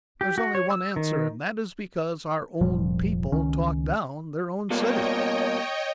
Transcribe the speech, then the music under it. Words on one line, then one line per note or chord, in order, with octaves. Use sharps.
There is only one answer, and that is because our own people talk down their own city.
G4
F#4
C#5
E6
D#3
F1 A#2 F3 G3
C#2 D#3 C#4
B2 G3 A#3 C#5 D#5 G5